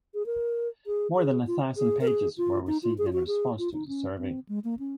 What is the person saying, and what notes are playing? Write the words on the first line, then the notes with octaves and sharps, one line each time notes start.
More than a thousand pages were received in response to the survey.
G#4
A#4
G#4
G#4
F4
G#4
A#4
G#4
F4
D#4
F4
G#4
F4
F#4
G#4
F4
D#4
C#4
C4
G#3
A#3
C#4